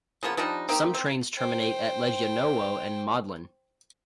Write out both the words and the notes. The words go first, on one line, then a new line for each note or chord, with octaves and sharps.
Some trains terminate at Legionowo and Modlin.
C#3 F3 A#3 B3
F3 G3 D4 D#4
A#3 C4 D#4 G4
C4
C5 G5